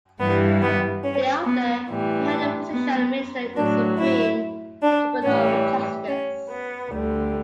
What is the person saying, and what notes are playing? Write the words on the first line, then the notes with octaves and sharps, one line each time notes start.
Thereafter, he held a position of Minister of the Supreme Tribunal of Justice.
G2 E3 G3 B3
B3
C#4
B3
A2 E3 G3
D4
B3
A2 F#3 D4
E4
D4
A2 E3 G3 C#4
C#4
B3
D2 D3 G3